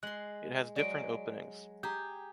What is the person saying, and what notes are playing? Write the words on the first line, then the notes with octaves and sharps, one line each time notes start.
It has different openings.
G#3 C6 F#6 F#7
F#3 G#3 D5 D7
G4 G#4 A#5 G6